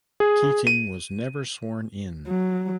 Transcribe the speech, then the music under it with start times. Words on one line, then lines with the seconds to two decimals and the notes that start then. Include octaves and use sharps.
Keating was never sworn in.
0.20 G#4
0.67 D#7
2.27 F#3